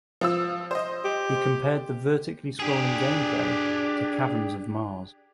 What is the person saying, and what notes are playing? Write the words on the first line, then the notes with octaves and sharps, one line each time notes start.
He compared the vertically scrolling gameplay to "Caverns of Mars".
F3 F4 E6
C5 D#5
G4
D4 G4 G#4